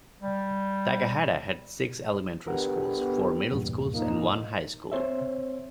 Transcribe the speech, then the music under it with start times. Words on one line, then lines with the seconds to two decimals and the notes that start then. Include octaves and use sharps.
Takahata has six elementary schools, four middle schools and one high school.
0.22 G3
2.47 D3 B3 G4 A#4 F#5
3.52 E2 G2 A#2
3.93 F3 A#3 D#4
4.92 C4 C5 C#5 E5